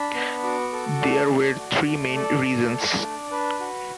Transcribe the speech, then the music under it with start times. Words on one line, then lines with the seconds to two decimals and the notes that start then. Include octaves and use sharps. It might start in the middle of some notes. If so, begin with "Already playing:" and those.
There were three main reasons.
Already playing: D4 B5
0.15 B3
0.43 F#4 D6
0.73 A4
1.01 A3 D5
1.30 A3
1.59 F#4
1.87 A3
2.16 A4 D5
2.45 A4
2.74 A3
3.03 D4
3.31 D4 B4
3.60 F#4